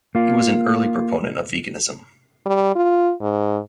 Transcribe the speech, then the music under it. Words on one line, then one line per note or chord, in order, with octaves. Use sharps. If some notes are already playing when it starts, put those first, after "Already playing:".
He was an early proponent of veganism.
A#3 F4
G3
F4
G#2